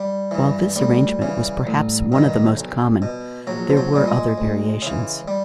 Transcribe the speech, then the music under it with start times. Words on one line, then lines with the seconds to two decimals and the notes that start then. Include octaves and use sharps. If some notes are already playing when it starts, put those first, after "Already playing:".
While this arrangement was perhaps one of the most common, there were other variations.
Already playing: G3
0.31 G2 E3
0.76 D2 G3
1.22 C#3 E3
1.67 A1
2.12 G2 D#3
2.57 B1
3.02 B2
3.47 A#1 F#3
3.70 F3
3.77 F#3
3.93 A#2 G3
4.07 G#3
4.38 D2
4.82 C#3 E3
5.28 G3